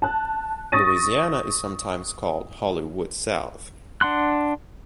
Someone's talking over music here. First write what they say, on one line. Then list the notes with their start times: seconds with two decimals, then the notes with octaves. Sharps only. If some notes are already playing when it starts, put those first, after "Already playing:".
Louisiana is sometimes called "Hollywood South".
0.02 A5 F#6
0.72 C#6 D#6 A6 A#6 D#7
4.01 D4 F#5 C6 F#6